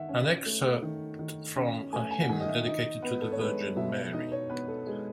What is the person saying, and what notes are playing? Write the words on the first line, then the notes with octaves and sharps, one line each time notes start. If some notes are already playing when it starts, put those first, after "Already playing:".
An excerpt from a hymn dedicated to the Virgin Mary.
Already playing: D#3 E5 F#5
C#4
A3
D#3
D#3
C#4
A3 G#5
G#5
F#5
D#3 G#5
D#5
E5
D#4 D#5
B3 B4
A4
C#5
G#3 B4
B2 E5
D#4 D#5
C#5
B3 B4
A4
G#3